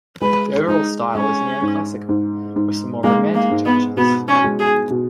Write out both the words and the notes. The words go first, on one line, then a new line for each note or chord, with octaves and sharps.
The overall style is neoclassical, with some more romantic touches.
G#3 B4
G#3 D#4
G#3 C#4
G#2
G#2
G#2
G#3 A#3
A#3
G#2
B3
B2 B3
C#4
G#3
G#4
B2